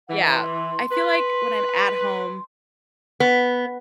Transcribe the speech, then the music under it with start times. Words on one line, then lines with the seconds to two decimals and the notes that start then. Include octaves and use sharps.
yeah, I feel like, when I'm at home
0.09 E3 F#5
0.28 C6
0.91 B4
3.20 B3